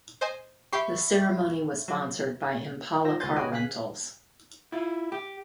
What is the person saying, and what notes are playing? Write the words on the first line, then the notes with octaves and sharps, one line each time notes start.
The ceremony was sponsored by Impala Car Rentals.
C5 D#5 G#5
G4 E5 B5 C#6 C7
F#3
F4 C5 E6 A#6
C#2 F#4 B4 G#5 C6 A6
F#4 B4 C#5 D#5 G5 G#5
C#3 F5 G#5 F#6 B6
E4 F4
G4